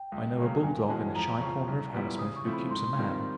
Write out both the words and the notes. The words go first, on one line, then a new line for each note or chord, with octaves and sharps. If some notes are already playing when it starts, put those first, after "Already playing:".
I know a bull-dog in a shy corner of Hammersmith who keeps a man.
Already playing: G5
C#2
C#3 F#3 A#3
G2 G#5
E3 G#3 C#4 F#4 A5
F2 A#5
C#3 F3 C#6
C2
A#2 G3 B3 E4
C#3 D#6
C#6
F3 A3 C4 E4
B5
G#2 C6
D#3 G3 C4 F4